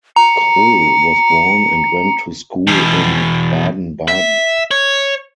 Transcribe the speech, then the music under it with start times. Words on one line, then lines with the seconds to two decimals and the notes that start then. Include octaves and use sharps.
Krull was born and went to school in Baden-Baden.
0.16 A#5 C#7
2.67 E2 B2
4.08 E5
4.71 C#5